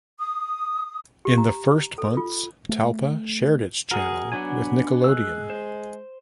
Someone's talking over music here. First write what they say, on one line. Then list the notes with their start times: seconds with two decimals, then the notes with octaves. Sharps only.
In the first months Talpa shared its channel with Nickelodeon.
0.19 D#6
1.25 G4
1.38 A#5
1.98 A4
2.17 F4
2.69 A3
3.91 F#4 G#4 A#4
4.32 F#3 B3 D4 G#5
5.04 G#3 E6 F#6
5.50 C5